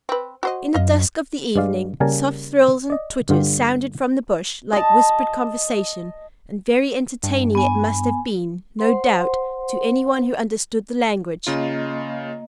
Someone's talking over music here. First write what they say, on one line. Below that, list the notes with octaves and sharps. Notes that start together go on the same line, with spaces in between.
In the dusk of the evening, soft thrills and twitters sounded from the bush, like whispered conversation; and very entertaining it must have been, no doubt, to any one who understood the language.
C4 B4
F#4 C5 D#5
F#2 D#5 F5
G2 G#3 D5 F5
C#3 G3 A#3 A#4 G#5 A5
D5 D#5
G2 D3 F4 G4
D#5 A5
G2
B3 G#5
C5 F#5 C6
C#3 A#3 F4 D#5